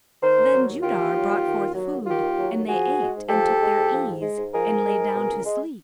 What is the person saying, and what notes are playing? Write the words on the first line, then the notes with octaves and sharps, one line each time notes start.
Then Judar brought forth food and they ate and took their ease and lay down to sleep.
D#3 A#4 C5
D#2
F#3
D#2
D#3 F4 G4
D#2
F#3
D#2
D#3
D#2
F#3
D#2
D#3 F4 G4
D#2
F#3
D#2
F3 F#4 G#4
G#2
G#3
G#2
F3 G4 A4
G#2
G#3
G#2
F3
G#2
G#3
G#2
F3 G#4 A#4
G#2
G#3
G#2
B2
C#2
G#3